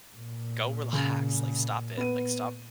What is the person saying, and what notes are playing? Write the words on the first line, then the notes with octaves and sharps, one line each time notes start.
go relax. Like, stop it. Like, stop
A#2
C#3
B3 D#7